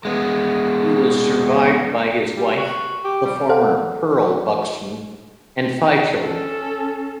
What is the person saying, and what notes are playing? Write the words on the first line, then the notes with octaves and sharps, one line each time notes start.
He was survived by his wife, the former Pearl Buxton, and five children.
G#3 B3
G3
F#4
G4
G3
A4 C5 F5 F#5
C#4 A4